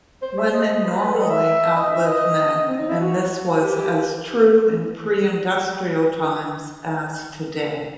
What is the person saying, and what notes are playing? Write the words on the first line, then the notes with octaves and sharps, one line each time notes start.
Women normally outlive men, and this was as true in pre-industrial times as today.
C5
E5
C5
D#5
B4
A4
D#5
E5
D#5
E5
D#5
C4
D#4
E4
F#4
G4
G4
G4